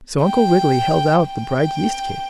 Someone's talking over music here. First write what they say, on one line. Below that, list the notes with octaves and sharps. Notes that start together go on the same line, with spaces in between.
So Uncle Wiggily held out the bright yeast cake.
G5
G5